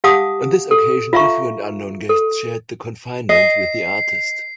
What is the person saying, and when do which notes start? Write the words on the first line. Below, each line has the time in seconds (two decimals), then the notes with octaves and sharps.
On this occasion different unknown guests shared the confinement with the artist.
0.04 G4 F5 F#5 A5 D6 D#6
0.71 A4
1.13 F4 E5 F5 A#5 C#6
2.09 A4
3.29 D#5 C7